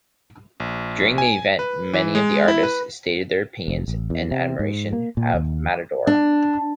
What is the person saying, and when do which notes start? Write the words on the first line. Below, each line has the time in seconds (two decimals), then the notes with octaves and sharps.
During the event Many of the artists stated their opinions and admiration of Matador.
0.60 A#1
1.18 G#5
1.59 B4
1.93 E3
2.15 G#3
2.48 E4
2.63 B4
3.68 F1
3.88 A1
4.10 E2
4.31 C3
4.59 G#2
4.93 A#3
5.17 A#2
5.34 D#2
6.07 D4